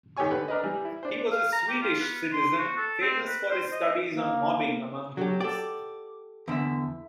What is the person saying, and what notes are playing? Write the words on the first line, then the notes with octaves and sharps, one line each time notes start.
He was a Swedish citizen, famous for his studies on mobbing among humans.
D#3 G4 A4 C#5 G#5 C#6
D3 B4
D4 A#4 B4 D#5
E3 G3
E4
D4 C5
F5
A#5
G4
F4
B3
C6
F#4
A4
C4
B4
C5
D#5
A#3
F#3 F#4 G4
A4 D5 G5 D6
E2 D3 E4 E5